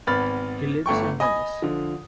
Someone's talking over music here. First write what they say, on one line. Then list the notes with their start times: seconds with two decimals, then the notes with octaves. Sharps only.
He lives in Venice.
0.07 G#1 B3 B5 F6 A6
0.86 G1 A3 G5 C#6
1.20 D#5 G#5 B5 D#6
1.62 D3 F3